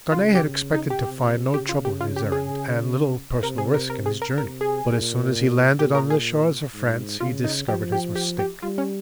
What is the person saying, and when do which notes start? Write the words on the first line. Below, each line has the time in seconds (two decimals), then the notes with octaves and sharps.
Darnay had expected to find no trouble in his errand and little personal risk in his journey, but as soon as he landed on the shores of France he discovered his mistake.
0.12 C#3 F4
0.35 G4
0.74 D#4
0.90 G4
1.06 C3
1.54 C#3 G4
1.69 F4
1.85 G4
2.01 F4
2.16 G4
2.32 G#4
3.43 C3 A#4
3.58 G#4
3.74 A#4
3.90 A#4
4.06 G#4
4.22 A#4
4.37 C3 A#4
4.61 G#4
4.85 A#2
5.79 A#2 G4
5.95 A#4
6.10 G#4
6.74 G#2
7.20 C#3 F4
7.44 D#4
7.68 F3 G4
7.92 G4
8.15 G4
8.39 G4
8.62 G3 F4
8.78 C#4